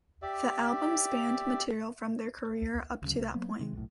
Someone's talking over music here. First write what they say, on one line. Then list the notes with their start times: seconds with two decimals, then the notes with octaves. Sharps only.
The album spanned material from their career up to that point.
0.22 G4 D5 E5
3.02 D2 C#3 F#3
3.19 C2
3.34 F#3 A#3 B3
3.59 C3 D#3 G#3
3.73 B1 A2